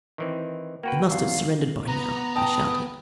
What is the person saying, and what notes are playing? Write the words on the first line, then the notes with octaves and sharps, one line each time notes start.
"It must have surrendered by now," I shouted.
D#3 E3 C4
A#3 F#4 B4 G5
E2 G#2 F5
B3 A#5
G5 A5 D#6